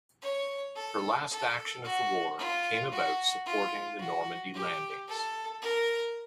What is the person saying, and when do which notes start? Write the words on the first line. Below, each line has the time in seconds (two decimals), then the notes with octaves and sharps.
Her last action of the war came about supporting the Normandy Landings.
0.22 C#5
0.76 A4
1.31 A4
1.85 F#4
2.38 F4
2.92 F#4
3.46 F4
3.99 F#4
4.55 G4
5.09 A4
5.62 A#4